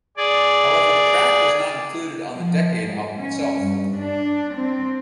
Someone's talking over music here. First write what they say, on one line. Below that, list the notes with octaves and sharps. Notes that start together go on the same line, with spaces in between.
However, the track was not included on the "Decade" album itself.
G#4 D5
F3
G#2
C#4
G2
D4
C4